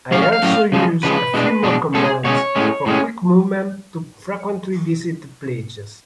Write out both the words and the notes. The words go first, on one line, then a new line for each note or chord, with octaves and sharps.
I also use a few more commands for quick movement to frequently visited places.
A2 F#3 C#4 F5
F5
F5
A2 F#3 C#4
C#3 F3 G#3
C#3 F3 G#3 B4
B2 G#3 D4
B2 G#3 D4
B2 G#3 C#4 A4
G#4
B2 G#3 C#4 C#5
A2 G#3 C#4
A2 G#3 C#4